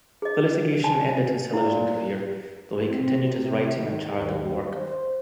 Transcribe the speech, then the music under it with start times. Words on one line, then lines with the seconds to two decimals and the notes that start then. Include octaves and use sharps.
The litigation ended his television career, though he continued his writing and charitable work.
0.22 G#4 D#5
0.84 G#5 A5
1.53 A#2 E4
2.89 C4
3.28 C3
3.76 D#3
4.17 D#2
4.76 C5